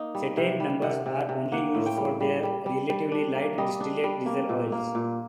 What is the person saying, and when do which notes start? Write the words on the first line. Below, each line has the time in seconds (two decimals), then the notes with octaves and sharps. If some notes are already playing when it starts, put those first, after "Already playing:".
Cetane numbers are only used for the relatively light distillate diesel oils.
Already playing: A#3 D#4
0.15 G3
0.37 C3
0.60 G3
0.83 C3 F#5
1.06 C3
1.29 C3
1.52 A#3 F#5
1.75 A2
1.86 G5
1.97 G3
2.20 G3
2.43 G3
2.66 G3
2.89 G3
3.12 D4
3.35 A#3
3.58 G3 D#5
3.81 D4
4.04 G3
4.26 A#3
4.49 A#2
4.72 A#3
4.95 A#2